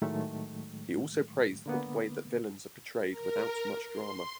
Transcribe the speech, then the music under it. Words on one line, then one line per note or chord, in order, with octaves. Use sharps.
He also praised with the way the villains are portrayed without much drama.
A2 D#3 F#3 G#3 A3
D3 A#3 B3
A#4
C6